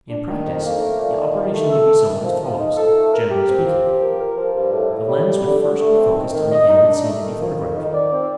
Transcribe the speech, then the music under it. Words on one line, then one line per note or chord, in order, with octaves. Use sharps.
In practice, the operation would be somewhat as follows, generally speaking: The lens would first be focussed on the animate scene to be photographed.
D4
D#3
F2
A#3
A3
A#2
D#4
D#3
A3
A4
A3
D#3
F3
F3
D#4
A4
A3
A#4
G4
C4
F3
G4
A#4
A#4
F3
G2
A2
A2
G3
G3
D3
D3
A3
C4
D#3
D#3
D#5
D#4
D4
A3
D#3
A#3
F2
D#3
D5
C4